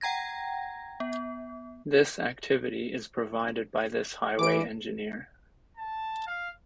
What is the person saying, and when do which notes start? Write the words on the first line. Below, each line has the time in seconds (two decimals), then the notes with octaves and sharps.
This activity is provided by this highway engineer.
0.01 F#5 G5 A#5 G#6 A#6
1.00 B3
4.39 E3 D6 D7
5.77 A5
6.27 F5